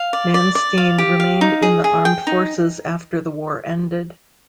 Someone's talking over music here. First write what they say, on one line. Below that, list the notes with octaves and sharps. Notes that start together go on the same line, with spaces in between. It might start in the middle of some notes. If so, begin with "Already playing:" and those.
Manstein remained in the armed forces after the war ended.
Already playing: F5
D5
D5
D5
F5
G4
F5
D#4
G#4
G#4
G5
D#4